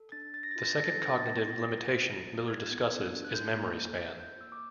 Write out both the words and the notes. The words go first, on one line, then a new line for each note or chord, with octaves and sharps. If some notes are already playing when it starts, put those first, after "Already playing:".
The second cognitive limitation Miller discusses is memory span.
Already playing: A4
D4 A6
D4 A6
A#6
A6
F4 A#6
A6
A4 A#6
A6
D4
B3 A6
A#6
E4 A6
A#6
A6
G4 A#6
A6
B3 A#6
A6
B3
E4
G4 G#6
B3
A4
D4
F#6
F4 G6
A#3
A4
D4
F4 G6
A#3 E6
D6